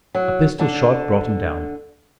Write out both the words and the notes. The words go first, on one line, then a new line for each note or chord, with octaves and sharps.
A pistol-shot brought him down.
F#3
D3 D4